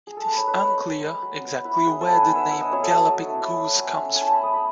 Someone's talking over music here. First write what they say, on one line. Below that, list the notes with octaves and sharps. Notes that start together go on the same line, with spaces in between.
It is unclear exactly where the name "Galloping Goose" comes from.
G#4
A4
B4
D#4 C#5
B4
D#4 C#5
B5
G#3
G#3 B5
F#3
B3
E4 B4
F#3 G#4
A4
F#3 B4
F#5 G#5
B3
E5
E4 E5
D#5
F#3 C#5
A4
F#3
A3
E4
F#3
A3 G#5
C#4
G#5
E4 A5
B5
A3 D#6
B5